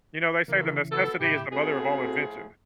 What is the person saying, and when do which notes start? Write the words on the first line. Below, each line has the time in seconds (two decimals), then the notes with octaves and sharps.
You know, they say that necessity is the mother of all invention.
0.48 G2 C#3 E3 A3 A#3
0.92 B2 A4
1.20 A2 C#3 E4 G4
1.53 A2 F3 C4 F#4 G#4 A4